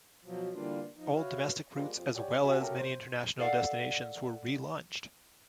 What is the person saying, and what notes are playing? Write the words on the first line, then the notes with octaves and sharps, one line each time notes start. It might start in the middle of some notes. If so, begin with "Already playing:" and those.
Old domestic routes as well as many international destinations were relaunched.
B2 F3 F#3
D3 E3 G3 A#3 D4 F4
F3 D#4
F#4 B4 C#5 E5 F5
F3 G3 G#3 A#3 F4
F2
G4 C#5 D5 F#5 G#5
F#4 E5 G#5
A3 C#4 F#4 G4 A4 A#4
C5
A4 D5 F5 F#5